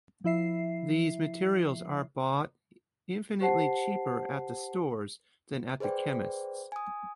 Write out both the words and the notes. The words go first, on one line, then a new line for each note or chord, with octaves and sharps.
These materials are bought infinitely cheaper at the stores, than at the chemists.
F3 E4 E5 C7
G4 C5 F#5 A5 C7
G#4 B4 C5 D5 G5
G#5 D#6